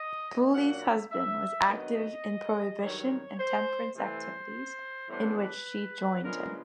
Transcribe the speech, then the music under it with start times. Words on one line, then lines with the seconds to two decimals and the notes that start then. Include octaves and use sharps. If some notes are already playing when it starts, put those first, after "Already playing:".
Boole's husband was active in prohibition and temperance activities, in which she joined him.
Already playing: D#5
0.54 A#2 F#3 A#3 D4 F#5
0.83 E5
1.12 E5
1.68 D#3 F#3 B3 D4 D#5
2.82 G2 D#3 F#3 C#5
3.39 C5
3.95 C3 E3 A3 C5
5.09 A2 E3 G3 B3 D4 C5
5.38 B4
6.22 C#3 F3 G#3 B3 D4 A#4